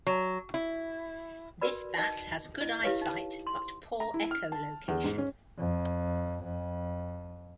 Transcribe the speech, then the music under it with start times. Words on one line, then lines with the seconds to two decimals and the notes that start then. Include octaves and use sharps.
This bat has good eyesight, but poor echolocation.
0.07 F#3
0.54 E4
1.61 F#4 A#4 B4 D5 B5
1.98 D#4 D#5 G5
2.61 E4 D#5
2.83 E4 G4 B4 C#5 F5
3.02 D#4
3.47 C6
4.00 A#5
4.14 E4
4.31 F6
4.52 A5
4.88 E2
5.04 G#2
5.18 C#4
5.58 F2
6.43 F2